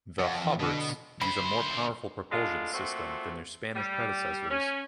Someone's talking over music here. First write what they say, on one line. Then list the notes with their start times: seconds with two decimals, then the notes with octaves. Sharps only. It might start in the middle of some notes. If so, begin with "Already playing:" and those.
The "Hobart"s use a more powerful propulsion system than their Spanish predecessors.
0.19 F2 F#5
0.43 E3
0.59 B2 D3
1.21 D2 C5 B5
2.31 A2 D3 G#3 F4
2.73 A#2 A3 C4 F#4
3.74 G3
4.50 C#4